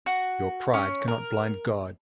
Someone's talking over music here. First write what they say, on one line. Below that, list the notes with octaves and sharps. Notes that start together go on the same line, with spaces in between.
Your pride cannot blind God!
F#4
C#4
A#4